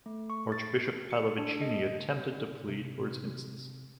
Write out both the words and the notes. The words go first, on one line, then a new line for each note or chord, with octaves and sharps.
Archbishop Pallavicini attempted to plead for his innocence.
A3
C#6
A6
C#7
D4
D#5
C3